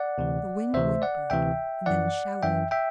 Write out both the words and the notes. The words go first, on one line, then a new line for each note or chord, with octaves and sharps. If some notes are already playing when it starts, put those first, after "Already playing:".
The wind whimpered and then shouted.
Already playing: D5 F#5
D2 C3 E3
D2 C3 E3 C5 E5
D5 F#5
D2 C3 E3 E5 G5
F#2 E3 D5 F#5
F#2 E3 E5 G5
E5 G5